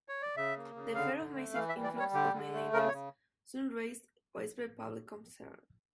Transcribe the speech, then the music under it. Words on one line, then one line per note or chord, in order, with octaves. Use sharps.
The fear of massive influx of mainlanders soon raised widespread public concern.
C#5
D5
C#3 E5
A#3
C#3
D3 F5
D3
A3
E3 F5
E5
G3
D5
G3
C#5
D3 G4
D3
A3
C#3 A#4
C#5
C#3